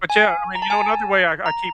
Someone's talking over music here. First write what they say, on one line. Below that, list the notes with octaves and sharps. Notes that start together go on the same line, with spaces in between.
But, yeah, I mean, you know, another way I I keep
G#5
A#5
A5
G#5
A5
A#5